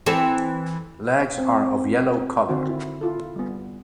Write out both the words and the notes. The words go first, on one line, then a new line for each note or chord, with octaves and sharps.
Legs are of yellow colour.
E3 C4 A4
C4
D3 D#3 C4 F#4 C5
E4
E4 F4 A4
G3 B3